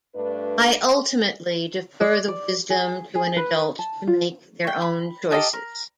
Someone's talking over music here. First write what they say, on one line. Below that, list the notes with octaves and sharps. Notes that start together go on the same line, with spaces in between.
I ultimately defer the wisdom to an adult to make their own choices.
G2 A3 D4 B4
D5
D5
G#4
G#4
B4
A5
F4
C#5 G5
B5
G4 A#4 D#5 A5
A#4